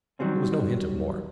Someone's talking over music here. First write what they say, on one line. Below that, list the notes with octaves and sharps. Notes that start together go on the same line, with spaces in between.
There was no hint of more.
D#3 F#3 G3 C4 C#4